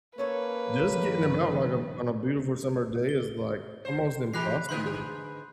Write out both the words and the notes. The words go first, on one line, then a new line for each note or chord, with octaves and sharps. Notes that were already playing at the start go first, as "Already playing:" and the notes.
just getting 'em out, like, on on a beautiful summer day is, like, almost impossible,
A#3 C#4 A4 B4 C#5
G2 D#3 F3
G7
C5
E3 G#3 G4 B5 F#6 C7
G#2 D3 B4 C6 G6